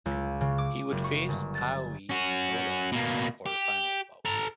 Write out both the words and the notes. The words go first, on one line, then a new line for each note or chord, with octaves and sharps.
He would face Aoi Noda in the quarterfinal bout.
C#2
C#3
D6
F#1
C#6
G1
A6
C#4 F#4
B2 A#3
G4
A4 A#5